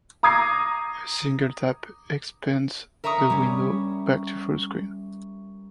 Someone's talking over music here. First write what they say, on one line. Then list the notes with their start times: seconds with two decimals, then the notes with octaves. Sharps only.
A single tap expands the window back to full screen.
0.23 A#5 D6 D#6 G#6 A#6 C7
3.04 A#4 E5 A#5 C#6 D#6
3.30 G3 C#4